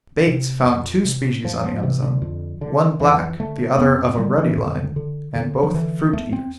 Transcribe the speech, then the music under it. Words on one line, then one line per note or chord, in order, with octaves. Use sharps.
Bates found two species on the Amazon--one black, the other of a ruddy line, and both fruit-eaters.
C3
F2
C3
F2 F3
F3
C3 E3
D3
F2
D3
F2 E3
D3 A3
F2 B3
C4
D3 G3
E3
F2 D3
D3
E2 D3
F3
D3 E3
E2 A3
C4